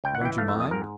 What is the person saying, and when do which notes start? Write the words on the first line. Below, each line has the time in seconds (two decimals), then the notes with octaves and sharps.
"Don't you mind?"
0.04 C#2 G5
0.15 F#5
0.21 E3 G5
0.38 A3 F5
0.49 E5
0.55 F2
0.60 D#5
0.71 G#2 A#4